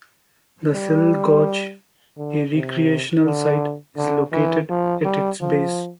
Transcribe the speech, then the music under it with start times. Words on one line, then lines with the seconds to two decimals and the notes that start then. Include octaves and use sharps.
The Sill Gorge, a recreational site, is located at its base.
0.74 G3
2.17 D3
2.54 C3
3.26 D3
3.97 D3
4.33 E3
4.70 F3
5.05 G3
5.41 F3